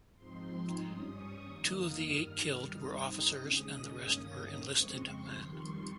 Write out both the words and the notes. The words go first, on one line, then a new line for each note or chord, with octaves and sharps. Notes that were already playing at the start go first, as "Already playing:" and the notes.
Two of the eight killed were officers and the rest were enlisted men.
G#2 F3 C4 D#4 C6
G2 G3 C#4 D#6
C#6
F2 D#3 A#3 D#4 D#6
F6
G2 D#3 G3 F6
G2 G3 C4 D#4 D#6
D#6
D#2 C#3 G#3 C#4
G2 D#3 A#3 C#4 D#6
D#6
F2 C#3 G#3 C4 C#6
C6
F2 D#3 G3 C6
C#6